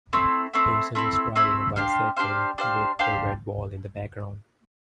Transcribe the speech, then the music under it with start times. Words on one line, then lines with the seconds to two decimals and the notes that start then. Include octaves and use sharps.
A person is riding a bicycle with a red wall in the background.
0.13 A3 C4 E4
0.53 A3 C4 E4
0.95 A3 C4 E4
1.35 A3 C4 E4
1.76 D4 G4 C5 F5
2.16 D4 G4 C5 F5
2.58 D4 G4 C5 F5
2.99 D4 G4 C5 F5